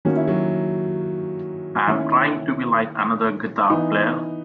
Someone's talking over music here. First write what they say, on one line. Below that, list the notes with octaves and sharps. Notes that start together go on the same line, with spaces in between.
I'm trying to be like another guitar player.
D#3 A#3 C#4 F#4
E4
F#3 F#4
D#3 A#3 C#4 E4
E3 B3 D#4